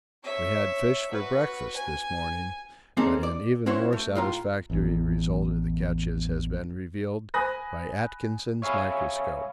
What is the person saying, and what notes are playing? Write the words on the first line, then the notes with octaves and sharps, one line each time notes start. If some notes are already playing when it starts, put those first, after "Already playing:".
We had fish for breakfast this morning, but an even more satisfactory result of the catches has been revealed by Atkinson's microscope.
C#5 E5
F#4 B4
G#5
A#3 C4 C#4 D#4 G#4 A4
D5
C#4 E4 F#4 C5 C#5
A3
A2 F4 A#5
A1 E2
G#5 B5 D#6 F#6 A#6
C#5 E5 F5 G#5 B5